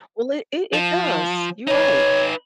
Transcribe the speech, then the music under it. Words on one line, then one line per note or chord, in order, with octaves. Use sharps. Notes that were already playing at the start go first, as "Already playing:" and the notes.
Well, it it does, you're right.
F3
D#4 B4 C#5